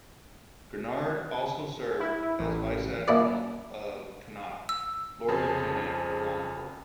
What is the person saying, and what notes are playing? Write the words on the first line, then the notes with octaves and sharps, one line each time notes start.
Granard also served as Vice-Admiral of Connaught, Lord Lieutenant of Longford.
E4
A1
A#2 E4 D5
E6
F2 C#3 G#4 C5 A5